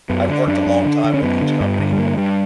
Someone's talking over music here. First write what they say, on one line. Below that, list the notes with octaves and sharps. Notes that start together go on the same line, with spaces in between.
I've worked a long time with each company
F#2 B3
D3 D4
F#2 D4
F#2
D3
D3
C#4
F#2 B3
D3
G2
D3
G3
G2 A#3
G2 G3